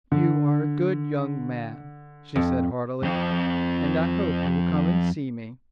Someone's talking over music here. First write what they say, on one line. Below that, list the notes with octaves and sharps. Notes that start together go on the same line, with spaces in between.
"You are a good young man," she said heartily. "And I hope you will come and see me."
D3
F2
F2 C4